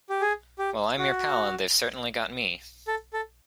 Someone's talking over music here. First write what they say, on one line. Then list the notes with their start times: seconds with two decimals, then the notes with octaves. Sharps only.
Well, I'm your pal and they've certainly got me.
0.10 G4
0.21 G#4
0.59 G4
0.98 F#4
2.88 A4
3.13 A4